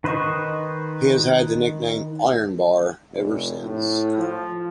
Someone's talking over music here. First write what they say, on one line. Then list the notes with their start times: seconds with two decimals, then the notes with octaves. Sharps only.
He has had the nickname "Ironbar" ever since.
0.04 D#3 B4 C5 D#5 C#6
3.13 F1
3.63 A2
4.18 F3